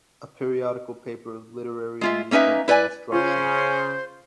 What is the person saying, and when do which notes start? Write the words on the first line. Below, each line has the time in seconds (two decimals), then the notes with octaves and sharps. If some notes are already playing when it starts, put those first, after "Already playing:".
A Periodical Paper of Literary Amusement and Instruction.
2.01 G#3 F4 E5
2.31 A#3 C#4 D#4 B4 E5
2.68 E4 B4 D5 G#5
3.12 C#3 C#4 F4 C5